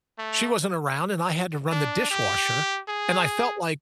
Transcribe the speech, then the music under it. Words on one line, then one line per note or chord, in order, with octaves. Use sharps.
She wasn't around and I had to run the dishwasher, and I felt like,
A3
D4
G4
G#4